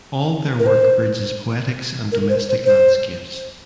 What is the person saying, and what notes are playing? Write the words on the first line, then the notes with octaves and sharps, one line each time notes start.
All their work bridges poetics and domestic landscapes.
A#4
C5
A#4
C5
C5
C5